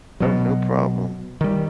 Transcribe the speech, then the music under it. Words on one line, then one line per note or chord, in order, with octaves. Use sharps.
Oh, no problem.
B2 F#3
D#3 G3